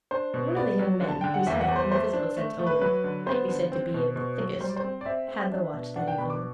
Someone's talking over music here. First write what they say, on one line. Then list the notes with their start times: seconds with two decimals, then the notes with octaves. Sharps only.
One of the young men, whose head, in a physical sense only, might be said to be of the thickest, had the watch that evening.
0.11 D4 C5
0.34 B2
0.56 B3 D5
0.79 F#3
1.01 D3
1.08 A5
1.21 D3 G5
1.34 F#5
1.47 E2 E5
1.61 F#5
1.68 E2
1.76 C5
1.91 A3 C5
2.13 D4
2.37 A3
2.59 A3
2.67 B4
2.81 F#3 B4
3.04 D3
3.26 B3 C5
3.48 D3
3.72 C4
3.94 B2
4.16 B2
4.39 F#3
4.61 G3 C5
4.69 D5
4.76 C5
4.84 C4
5.01 D5
5.06 C4 E5
5.28 C4
5.52 D4
5.74 B2
5.96 D4 F#5
6.08 G5
6.18 B2 B5
6.30 D6